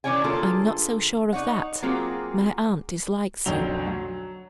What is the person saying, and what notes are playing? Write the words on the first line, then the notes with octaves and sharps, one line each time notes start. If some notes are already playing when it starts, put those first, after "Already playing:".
'I'm not so sure of that--my aunt dislikes you.'
C#3 E3 C#4 C#5 D5 G#5
D3 A#3 F4 G#4 A4
D#4 C#5 F#5
F#3 A#3 C4 F4 F#4 G#4
B1 F2 D3 F#3 F7 G7
F#3